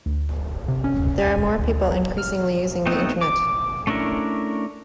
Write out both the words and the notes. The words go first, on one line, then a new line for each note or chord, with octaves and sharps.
There are more people increasingly using the internet.
D2
C3
C#4
G#5
D2
F#3
F6
A3 B3 C4 D#4
D6
A3 C#4 D4 E4 A#4